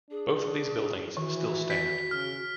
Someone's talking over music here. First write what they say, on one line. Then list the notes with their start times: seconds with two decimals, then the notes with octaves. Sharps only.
Both of these buildings still stand.
0.11 D4 G#4
1.17 D#3 E3 F#4
1.70 B6
2.11 C#3 F6